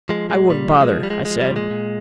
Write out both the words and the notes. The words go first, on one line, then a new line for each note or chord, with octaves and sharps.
"I wouldn't bother," I said.
F3 G#3
A#2 G#3
A#2 G3
F3
G#3
F3
G3
F3 G#3
G#3
F3
G3
A#2
G#3
A#2